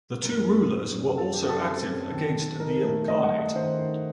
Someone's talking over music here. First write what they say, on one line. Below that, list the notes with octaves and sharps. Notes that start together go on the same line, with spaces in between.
The two rulers also were active against the Ilkhanate.
F#2 A#4
F#2
D#4
F#2
F#2 A4
G4
F#2
A4
C4
F#2
D#3
D#3
D#4 A#4
A3
A3 D#5
F#5
A3
D#5
D#3 C5
D#4